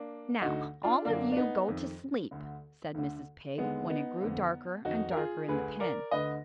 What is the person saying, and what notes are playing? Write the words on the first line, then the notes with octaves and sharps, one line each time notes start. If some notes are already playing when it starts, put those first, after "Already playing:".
"Now all of you go to sleep," said Mrs. Pig, when it grew darker and darker in the pen.
Already playing: A#3 D4
D2 D3 D#4 F#4
D4 F4
F#2 D3 A#3 D4
D4
B3 D#4
F2 D#3
D2 D3
D2 D3
D#2 D3 G#3 B3
B3 D#4
F2 D3
F2 D#3 D#4 F#4
A#4
F4 G#4
D2 D3 G#4 B4
A#4 D5
D2 D3 B4 D#5